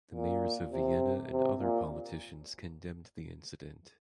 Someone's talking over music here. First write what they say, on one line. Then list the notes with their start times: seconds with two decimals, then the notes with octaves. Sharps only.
The mayors of Vienna and other politicians condemned the incident.
0.13 A#2
0.72 C3
1.31 C3
1.60 A#2